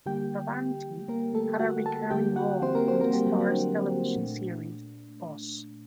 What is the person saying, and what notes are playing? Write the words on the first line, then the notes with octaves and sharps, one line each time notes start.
Travanti had a recurring role on the Starz television series "Boss".
D3 G3 A#3 G4 G5
A#3 A#4
A3 A4
F#4 F#5
A4 A5
D3 G3 A#3 G4 G5
F#4 F#5
C4 C5
A#3 A#4
C4 C5
A#3 A#4
G3 G4
F#3 F#4
F#3 F#4
D4
A#2 A3